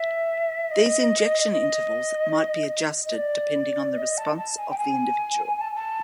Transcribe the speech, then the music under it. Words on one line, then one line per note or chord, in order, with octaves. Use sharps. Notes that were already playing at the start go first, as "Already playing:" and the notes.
These injection intervals might be adjusted depending on the response of the individual.
Already playing: E5
D#5
D#5
D#5
D5
D#5
A5
A5
G#5
G5
G#5
A5
A5